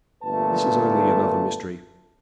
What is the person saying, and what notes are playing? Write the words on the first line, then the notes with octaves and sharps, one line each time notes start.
This is only another mystery.
G1 A#2 A3 B4 A5